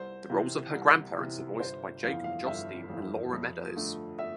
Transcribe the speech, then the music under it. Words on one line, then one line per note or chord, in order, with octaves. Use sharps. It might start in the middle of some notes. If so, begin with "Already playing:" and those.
The roles of her grandparents are voiced by Jakob Josten and Laura Meadows.
Already playing: C2 C5
C3 E3
C2
C3 E3
G1 C5
F2 E3 F5
F5
G1 E5
F2 E3
F2
D3 A3
E5